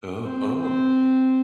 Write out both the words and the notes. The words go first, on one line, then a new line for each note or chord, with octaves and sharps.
Oh, oh.
C4
C4